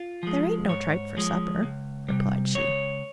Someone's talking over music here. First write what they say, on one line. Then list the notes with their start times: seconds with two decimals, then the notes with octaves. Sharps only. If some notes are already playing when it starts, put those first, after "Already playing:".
"There ain't no tripe for supper," replied she.
Already playing: F4
0.23 F3 G#3
0.69 G#2 C#5
1.17 F3 G#3
1.63 C#2
2.09 C3 G3
2.55 C#2 C#5